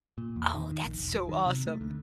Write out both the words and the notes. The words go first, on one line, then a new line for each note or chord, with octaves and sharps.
Oh, that's so awesome.
A#2
E2
D#3
D#3
A#1
E1
F#3
D#3
C3
A3
D2